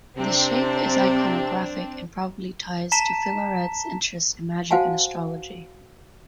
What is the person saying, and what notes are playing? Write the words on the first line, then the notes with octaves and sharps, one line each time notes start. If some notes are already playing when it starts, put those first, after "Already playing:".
This shape is iconographic and probably ties to Filarete's interest in magic and astrology.
C3 C4 D4
A5 A#5 B6 E7
F#4 C5 F5 F#5 G#5 A5